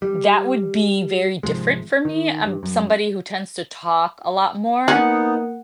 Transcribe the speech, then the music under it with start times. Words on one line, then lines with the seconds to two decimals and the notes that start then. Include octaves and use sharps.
that would be very different for me. I'm somebody who tends to talk a lot more.
0.02 G3
1.43 G#1 C3 F3 G#3
2.05 D#3
2.45 G2
2.63 F#2
4.88 A#3 B3 C#4 D#4 F#5